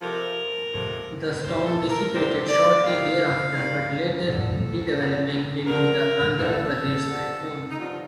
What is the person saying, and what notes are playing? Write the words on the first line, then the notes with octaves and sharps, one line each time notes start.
The storm dissipated shortly thereafter, but later re-developing into the Andhra Pradesh cyclone.
F2 C3 F3 A#4
F2 C3 F3
D2 C3 G3 C5
A4
A#4
D2 C3 G3 C5
D5
D#2 D#3 G3 F5
D#2 D#3 G3
D#2 D3 F3 A4
D#2 D3 F3
G2 D3 F3 A#4
G2 D3 F3 A4
G2 D3 F3
D#4
G2 D3 F3 F4